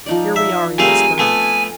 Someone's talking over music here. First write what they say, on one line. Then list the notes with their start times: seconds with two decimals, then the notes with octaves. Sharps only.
"Here we are," he whispered.
0.06 F3 D#4 D5
0.36 E5
0.79 G3 A3 C4 G#4 A#4 F5 G#5
1.19 A3 B3 A4 G#5